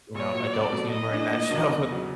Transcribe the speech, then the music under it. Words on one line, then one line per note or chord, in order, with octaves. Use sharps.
you know, adult humor in that show
A#1 C#5
A#2 F#3
C2 D5
B2 F#3 A3
A2 D#5
E3 A3 D4
A#2
F#3 A#3 D4
E2
C#3 F#3